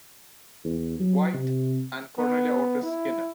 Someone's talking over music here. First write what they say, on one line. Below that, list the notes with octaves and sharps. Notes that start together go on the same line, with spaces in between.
White, and Cornelia Otis Skinner.
E2
F#3
C3
B3
E4